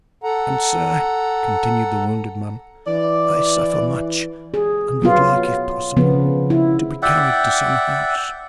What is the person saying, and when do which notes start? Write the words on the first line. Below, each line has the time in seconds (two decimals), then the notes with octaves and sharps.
"And, sir," continued the wounded man, "I suffer much and would like, if possible, to be carried to some house."
0.24 A4 F#5 A#5
2.87 E3 D5
4.54 G#4
5.02 F#3 B3 F4
5.97 C#3 F3 B3
6.50 E4
7.02 D5 E5 F#5 G5